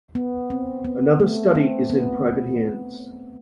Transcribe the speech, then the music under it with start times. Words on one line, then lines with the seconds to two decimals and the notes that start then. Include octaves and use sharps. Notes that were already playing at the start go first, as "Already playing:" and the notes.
Another study is in private hands.
0.15 B3
0.50 C4
0.85 B3
1.20 A3
1.55 C4
1.90 B3